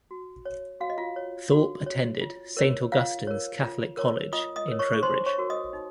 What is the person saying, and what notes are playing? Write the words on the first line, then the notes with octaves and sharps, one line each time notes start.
Thorp attended Saint Augustine's Catholic College in Trowbridge.
F#4
C#5
F#4 F5
D#5
F4 F5
C#5
F#4
C#5
F4
A#4 C#5
F4 F5
A#4 C#5
F4
A#4 C#5
F4 D#5 D#6
D#5 D#6
A#4 C#5
C#5 C#6
C#6
D#4 C5 C6
C#5 C#6
F#4 A#4
D#5 D#6
D#4